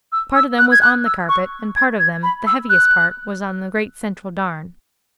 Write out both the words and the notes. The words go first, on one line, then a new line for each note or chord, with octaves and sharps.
Part of them was on the carpet, and part of them--the heaviest part--was on the great central darn.
E6
E6
F#6
G#6
F#6
E6
C#6
G#6
G#6
B5
E6
F#6